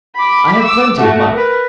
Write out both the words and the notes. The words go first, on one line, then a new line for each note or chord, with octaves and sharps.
I have plenty of money.'
B5 D6
D6 E6
A3 F#4
A#4 B4